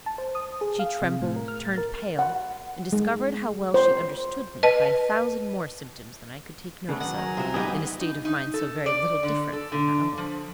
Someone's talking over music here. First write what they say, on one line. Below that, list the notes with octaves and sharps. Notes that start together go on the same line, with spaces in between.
She trembled, turned pale, and discovered how well she understood me, by a thousand more symptoms than I could take notice of, in a state of mind so very little different from her own.
A5
C5
D#6
G#4
F5
C3
A2
A#4
F6
A6
A#4
F#5
G#3
C5
B4 D#5 A5
C#3 A3 B3 D4
D#3 F#3 F#5
G#5 A#5
C2 F4 F#4
D2 G2 B3 D#4 G4 G#4 B4
D#4
D#4
A4
D5
D3
A4
D3
F3